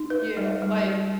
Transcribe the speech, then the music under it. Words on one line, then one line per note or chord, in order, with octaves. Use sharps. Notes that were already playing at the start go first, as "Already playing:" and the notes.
Yeah, like
Already playing: D#4
B4
G3
G3